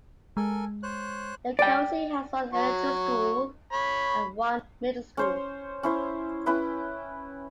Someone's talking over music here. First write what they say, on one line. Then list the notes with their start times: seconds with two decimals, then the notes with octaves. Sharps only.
Yokoze has one elementary schools and one middle school.
0.37 G#3 A4 A#4 G#5
0.83 C5 C#5 F#6
1.59 D5 G5
2.54 F#3 C#6
3.73 C#5 B5
5.17 C#4 C5 C#5
5.83 C#4 E4 C5
6.46 C#4 E4 B4 G5